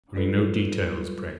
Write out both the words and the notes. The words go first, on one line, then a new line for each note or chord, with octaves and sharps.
Only no details, pray.
F#3 G3 F4 A4 B4